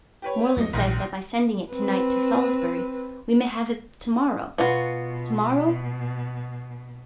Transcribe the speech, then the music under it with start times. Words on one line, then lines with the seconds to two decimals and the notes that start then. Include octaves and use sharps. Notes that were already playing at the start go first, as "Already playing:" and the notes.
Morland says that by sending it tonight to Salisbury, we may have it tomorrow. Tomorrow?
0.22 G4 B4 C#5
0.57 F2 F#3 G3 D#5
0.73 A#1 G#2 D#3 E3 A#6
1.72 C4 B4
4.58 B2 B3 F4 F#4